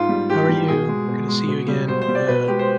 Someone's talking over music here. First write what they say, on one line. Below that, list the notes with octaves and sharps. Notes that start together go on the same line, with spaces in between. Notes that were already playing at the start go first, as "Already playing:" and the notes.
how are you, good to see you, again,'" uh
Already playing: G#2 F4
G3
G#2 G4
G3
B2 G#4
G#3
B2
G#3
B2
G3
B2 C5
C5
G3
D5
B2 B4
G#3 G4
C5